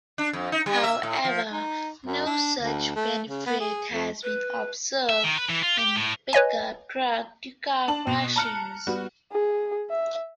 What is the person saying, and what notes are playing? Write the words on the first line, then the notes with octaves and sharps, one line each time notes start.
However, no such benefit has been observed in pickup truck to car crashes.
D4
F2
D#4
G3
E5
A2
F3
D#4
F#2
D4
D2
A3
C#3
B3
G#4
F2
B4
E5
D#3
B4
E3
F4
G4
A2
B4 C#5 D#5 G#5
D4 A5 F#7
B2
A5 A#5 F6 F#6 C#7
G3 B3 F#4
G#4
E5